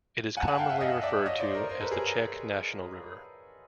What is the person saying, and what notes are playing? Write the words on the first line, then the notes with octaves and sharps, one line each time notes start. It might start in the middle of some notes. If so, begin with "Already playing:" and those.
It is commonly referred to as the "Czech national river".
F#5 G#5
A5
F#5 G#5
F5 G5
E5 F#5
D#5 F5
D5 E5
C#5 D#5
C5 D5
A#4 C5
A#4 C5
A4 B4
G#4 A#4